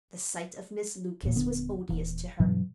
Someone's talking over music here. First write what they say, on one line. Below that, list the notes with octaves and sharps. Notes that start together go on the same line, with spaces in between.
The sight of Miss Lucas was odious to her.
D1 E2 A#2
D#1 D2 D3 B3
D#1 E3
G2 B2 E3 F#3